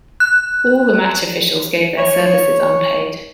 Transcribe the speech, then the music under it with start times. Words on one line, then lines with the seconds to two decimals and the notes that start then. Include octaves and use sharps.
All the match officials gave their services unpaid.
0.20 F#6
1.98 C#5